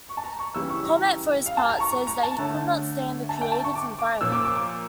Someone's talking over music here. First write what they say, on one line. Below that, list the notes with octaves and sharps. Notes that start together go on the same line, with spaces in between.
Chomet, for his part, says that he could not stand the creative environment.
C#6
A5
A#5
C#6
C#3 E3 G3 C#4 E6
C#6
A#5
F5
A5
A#5
C#6
C#6
A#5
A5
D3 A3 C#4
A5
G5
A5
C#6
D6
D6
A#2 F3 C#4 E6
D6
D6
D6